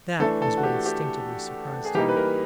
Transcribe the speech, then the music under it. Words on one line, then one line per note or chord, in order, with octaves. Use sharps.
That was what instinctively surprised him.
E3 A3 D4 A4
A4
F#4
G4
G4
G#4
E3 G3 A#3 D#4 G4
B4
A#4